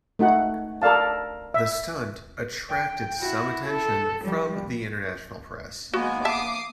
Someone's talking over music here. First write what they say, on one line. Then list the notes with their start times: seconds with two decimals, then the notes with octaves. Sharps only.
The stunt attracted some attention from the international press.
0.19 A3 D#4 F#4 F#5
0.82 A4 A#4 D5 F5 A5
1.54 E5
2.71 G5
3.19 E4 F#4
3.67 A4
4.23 F3 G3
5.94 G#3 A#3 B3 F#4 G#5
6.25 E5 A5 D6 D#6 C7